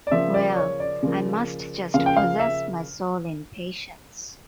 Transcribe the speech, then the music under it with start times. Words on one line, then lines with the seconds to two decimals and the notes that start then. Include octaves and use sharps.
Well, I must just possess my soul in patience.
0.07 D5
0.11 C#3 F3 A#3 E5
0.34 D5
0.56 C#5
0.80 D5
1.03 C#3 F3 A#3
1.94 C#3 F3 A#3 F5
2.06 G5
2.17 F5
2.39 E5